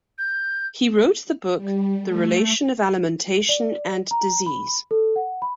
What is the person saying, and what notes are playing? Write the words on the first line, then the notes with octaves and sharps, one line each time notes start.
He wrote the book "The Relation of Alimentation and Disease".
G6
G3
A3
D5
A#5
B5
A4
F#5
B5